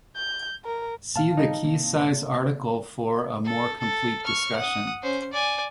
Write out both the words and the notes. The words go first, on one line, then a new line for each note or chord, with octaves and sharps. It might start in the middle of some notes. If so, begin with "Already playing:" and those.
See the key size article for a more complete discussion.
G6
A#4
A#2 F5 A5
D#3 G3 D#4
C3 A#3
A4
A4
C#6 F6
F#5 D#6
C#4 C5
D5 G#5